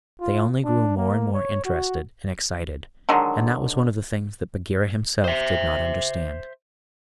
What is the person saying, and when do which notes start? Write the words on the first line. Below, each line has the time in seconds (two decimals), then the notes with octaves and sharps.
They only grew more and more interested and excited; and that was one of the things that Bagheera himself did not understand.
0.21 F4
0.64 D4
0.97 A#3
1.34 C#5
1.65 F#4
3.09 D3 D#3 F#3 G#3
5.24 C5 E5